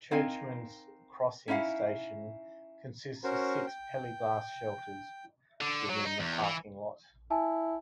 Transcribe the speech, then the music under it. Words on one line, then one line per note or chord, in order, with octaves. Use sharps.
Churchmans Crossing station consists of six plexiglass shelters within the parking lot.
C4 D#4 A#4 F5 G#5
C#4 D#4 E4 F5 F#5
C#4 F#4 A#4 C5
G5
D3
F#3
D#4
E2
E3
E4 G#5 A5